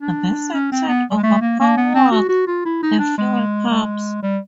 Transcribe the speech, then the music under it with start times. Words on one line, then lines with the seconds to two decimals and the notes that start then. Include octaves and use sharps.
This in turn overpowered the fuel pumps.
0.02 D4
0.54 C#4
0.72 C4
0.88 B3
1.10 G3
1.17 G#3
1.23 A3
1.41 A#3
1.60 A#3
1.77 B3
1.95 C4
2.12 F#4
2.29 F#4
2.47 F4
2.65 E4
2.83 D#4
2.99 D4
3.18 G#3
3.70 G#3
4.22 G3